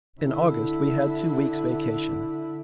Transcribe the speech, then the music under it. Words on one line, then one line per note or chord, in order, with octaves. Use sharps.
In August we had two weeks' vacation.
D3 E4